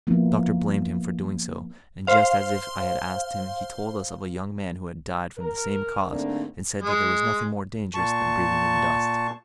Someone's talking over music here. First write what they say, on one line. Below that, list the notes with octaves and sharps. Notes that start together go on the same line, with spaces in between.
The doctor blamed him for doing so, and just as if I had asked him he told us of a young man who had died from the same cause, and said that there was nothing more dangerous than breathing in dust.
F3 A#3 B3 E4
C5 F5
A#4
G#2 D3 A3 A#3 C4 D4
G#3
A#2 A5 C#6